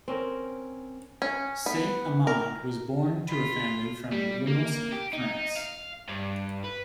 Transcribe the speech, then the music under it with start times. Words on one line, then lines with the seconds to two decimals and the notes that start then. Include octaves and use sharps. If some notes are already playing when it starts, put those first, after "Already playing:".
Saint Amand was born to a family from Limousin, France.
0.08 C4 C#4 A#4
1.22 C#4
1.66 B3
2.27 A#4
3.28 F4 B5
4.12 G3
4.47 A#3
4.92 G4
5.13 D#4
5.57 F5
6.09 G2
6.64 B4